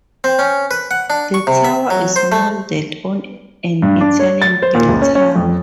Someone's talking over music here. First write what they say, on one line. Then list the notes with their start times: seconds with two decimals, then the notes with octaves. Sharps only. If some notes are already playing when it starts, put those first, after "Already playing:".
The tower is modeled on an Italian bell tower.
0.24 C4
0.39 C#4
0.71 B4
0.91 F#5
1.10 D4
1.34 C#6
1.47 C3
1.65 E5
1.90 F#3
2.16 C5
2.32 A3
3.82 G2
4.01 D4
4.19 C#5
4.42 A6
4.62 C5
4.75 A#2
4.89 C#2
5.02 C#4
5.15 C#4
5.36 F2